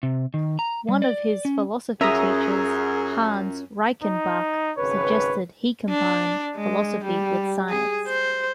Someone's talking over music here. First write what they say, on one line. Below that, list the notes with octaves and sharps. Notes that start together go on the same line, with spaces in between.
One of his philosophy teachers, Hans Reichenbach, suggested he combine philosophy with science.
C3
D#3
A#5
G3
D5
C#4
F#2 C#4 F4 G#4 A#4 E5 A#5 D#6
D#4
G#1 C#3 B4 C#5
D4
G#3
G3
G#4
C5